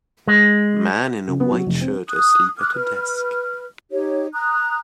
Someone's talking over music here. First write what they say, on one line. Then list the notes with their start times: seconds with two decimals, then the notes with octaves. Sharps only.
Man in a white shirt asleep at a desk.
0.27 G#3
1.28 C#3
1.40 B3
1.51 F#3
1.67 F1
1.81 C4
2.10 D#6 F#6
2.59 D6 D#6 F6 F#6
2.74 B4 F6
3.91 D#4 G4 C#5
4.33 A#5 D#6 F#6